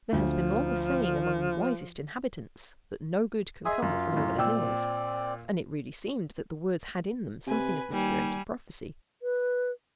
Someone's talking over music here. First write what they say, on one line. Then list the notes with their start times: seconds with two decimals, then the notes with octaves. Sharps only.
There has been long a saying among the wisest inhabitants, that "no good can come from over the hills"; and it really seemed that the words had in them something of the spirit of prophecy.
0.12 D2 F3
3.65 G#4 D#5 E5 G#5 C6 D#6
3.82 F#2 F4
4.13 F#2 A2
4.38 A#2 C4 D5 G5 E6
7.47 C3 B4 G#5
7.92 D#2 G3 G#5
9.21 B4